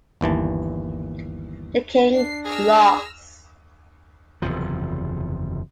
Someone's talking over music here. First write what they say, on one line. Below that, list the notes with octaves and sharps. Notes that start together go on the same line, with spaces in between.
The king lost.
G1 D#2 E3 A5
D4 C7
G#4 E6 F6 A#6
F#1 E2 C3 F3